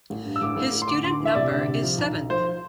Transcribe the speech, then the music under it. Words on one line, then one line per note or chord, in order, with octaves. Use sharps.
His student number is seventh.
A1
G2
E6
A1 D6
A1
A1
C6
D2 D6
D2 C6
E3
E5
C3 D5
D2
C3
F3
B1
B1
F3 C5